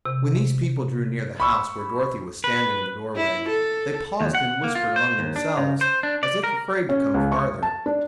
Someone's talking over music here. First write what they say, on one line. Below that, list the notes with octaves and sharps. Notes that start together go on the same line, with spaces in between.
When these people drew near the house where Dorothy was standing in the doorway, they paused and whispered among themselves, as if afraid to come farther.
C3
B5 C#6 E6
B4
E4
A4
D#2
F#5
A#3
F4
C5
D#2
D4
C#3
C5
D4
D5
A#4
C#4
C#2
C#6
A5
D4